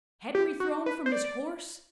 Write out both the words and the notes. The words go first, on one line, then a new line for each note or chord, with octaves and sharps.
Henry thrown from his horse?
G4
F#4
B4
C5
D5